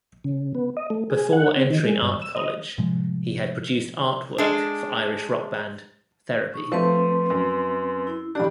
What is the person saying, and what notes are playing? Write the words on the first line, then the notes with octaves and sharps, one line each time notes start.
Before entering art college, he had produced art work for Irish rock band Therapy?
C#3
B3
D#5
A3
G#4
F#5
C4
D#3
G#3
G2
E6
D#5
A2 C3 F3 G#3
G#3 D4
D#4 C#6
F3 A3 C4 B4 C6
F#2
E4
A1 D4 G4 D5 B5